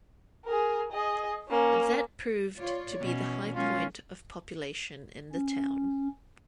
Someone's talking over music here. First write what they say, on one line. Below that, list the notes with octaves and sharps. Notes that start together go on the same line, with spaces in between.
That proved to be the high point of population in the town.
G#4 A#4
G#4 D#5
A#3 C#4
F4 C#5 D5
B2 E3 C#4
F#3 G#3 A#3 C#4 F4
C#4